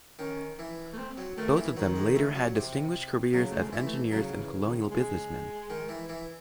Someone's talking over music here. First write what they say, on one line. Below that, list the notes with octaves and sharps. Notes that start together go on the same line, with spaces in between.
Both of them later had distinguished careers as engineers and colonial businessmen.
D#3 C#4
E3
A3
C4
F#3
D#3 A3
E3
D#3 F#3
G#3
A3
F#3
C3
C#3 F#3
A3
G#3
E3
A3
C#3 F#3
E3
D#3
G#3
D#3
E3
E3